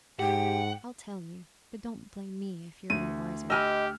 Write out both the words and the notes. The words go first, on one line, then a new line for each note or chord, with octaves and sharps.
I'll tell you, but don't blame me if you're no wiser.
G#2 G4 F#5 G5
D2 D#7
G4 D#5 G#5 B5 E6 F6